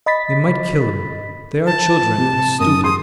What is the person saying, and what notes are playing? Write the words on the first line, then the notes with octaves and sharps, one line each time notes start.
They might kill him. They are children and stupid.
D#5 B5 A6 B6
A5
C3
F#2 D#6
C6 D#6